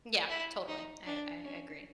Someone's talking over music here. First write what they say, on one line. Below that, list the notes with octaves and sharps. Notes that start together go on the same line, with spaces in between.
Yeah, totally. I I agree.
E4
D#4
D4
C#4